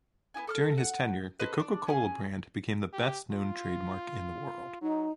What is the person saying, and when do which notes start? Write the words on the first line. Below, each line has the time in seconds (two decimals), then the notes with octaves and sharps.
During his tenure, the Coca-Cola brand became the best-known trademark in the world.
0.34 B3 D#4 E4 G#5
0.47 A4 D#6 F6
0.78 F#5
1.39 A4 B4 C5 D#5
1.59 D4 D6
1.87 C#4 E4 G#4
2.93 G4
3.31 F4
4.82 F#3 D#4